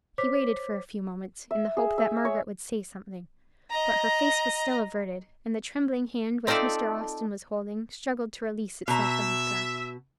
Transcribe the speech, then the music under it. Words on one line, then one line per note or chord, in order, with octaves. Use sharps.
He waited for a few moments, in the hope that Margaret would say something; but her face was still averted, and the trembling hand which Mr. Austin was holding struggled to release itself from his grasp.
C5 C#5 D6 B6
E5
G#4
E5
C#5
D#5 A#5
C4 D#4 F4 A4 D5 E5
B2 E5 A#5